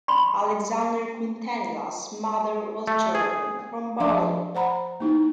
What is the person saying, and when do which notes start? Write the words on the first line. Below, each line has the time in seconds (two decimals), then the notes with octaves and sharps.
Alexandre Quintanilha's mother was German, from Berlin.
0.08 B5 C6
2.88 A3
3.15 G#4
4.00 F3 D4 D5 E5 C6 D6
4.55 C5 F#5 A#5 B5
5.00 A#3 D#4 E4